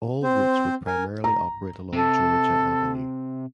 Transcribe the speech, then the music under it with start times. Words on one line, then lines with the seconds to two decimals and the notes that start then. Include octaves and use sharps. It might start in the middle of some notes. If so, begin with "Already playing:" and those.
All routes would primarily operate along Georgia Avenue.
0.23 C4 C5
0.87 A#4 G#5
1.24 A#5
1.93 C3 A4